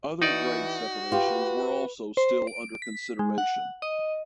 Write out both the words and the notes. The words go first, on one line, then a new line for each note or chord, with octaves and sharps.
Other grade separations were also still under consideration.
E3 D#4 F#4 D5
F4 G4 B4
C5
D7
B6
G#3
F#5
D#5